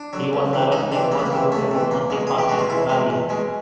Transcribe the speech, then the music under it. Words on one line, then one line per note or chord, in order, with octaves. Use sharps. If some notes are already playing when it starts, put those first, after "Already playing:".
He was arrested once during an anti-fascist rally.
Already playing: D4
D3 F#3
C#2
C3 E3
C#2 D#4
C3 E3 D4
C#2 A#3
B3
A#3
C3 E3
C#2 A3
C3 E3
E2 A#3
B2 G#3
E2 G#4
G4
B2 G#3 F#4
F4
E2 E4
B2 G#3
E2
B2 G#3